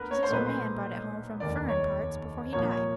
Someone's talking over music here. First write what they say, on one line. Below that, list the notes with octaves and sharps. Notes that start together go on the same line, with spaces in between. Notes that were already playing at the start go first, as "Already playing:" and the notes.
She says her "man" brought it home from "furrin' parts" before he died.
Already playing: D2 B3 A#4 B4
C#5
C5
B1 A#2 F#3 A3 B4
C5
F1 D#2 D#3 D5
C#5
C2 A#2 F3 A#3 C#5
C#5